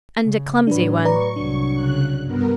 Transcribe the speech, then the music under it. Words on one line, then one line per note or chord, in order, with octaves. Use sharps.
And a clumsy one.
C#3
A2 F#3 D4 B4
B4 D5 A#5 C#6
C2 F#3 D4
C#3 F#6
G2 B3 A#4